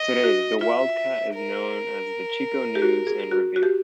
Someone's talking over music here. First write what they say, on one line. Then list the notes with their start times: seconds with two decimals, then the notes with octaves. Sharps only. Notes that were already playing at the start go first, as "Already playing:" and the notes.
Today, "The Wildcat" is known as the "Chico News and Review".
Already playing: D#5
0.23 F#4
0.61 F4 E5
1.35 A#4
2.75 G4
2.82 F#4
3.07 G#4
3.32 F#4
3.56 F#4
3.63 G4